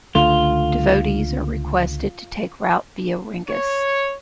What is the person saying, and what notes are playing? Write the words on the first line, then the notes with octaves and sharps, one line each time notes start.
Devotees are requested to take route via Ringus.
C#2 D3 A3 F4
C#5